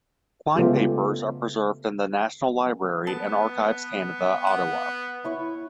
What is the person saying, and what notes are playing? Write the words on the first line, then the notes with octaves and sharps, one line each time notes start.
Klein papers are preserved in the National Library and Archives Canada, Ottawa.
C#3 G#3 A3 B3 F4 G4
B3 A5
F#5
E4 C#5 C#6